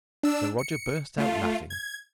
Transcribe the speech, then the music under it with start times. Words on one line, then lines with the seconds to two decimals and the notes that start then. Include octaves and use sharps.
So Roger burst out laughing.
0.23 D4 E6
0.58 C#7
1.18 A3 F4
1.70 G#6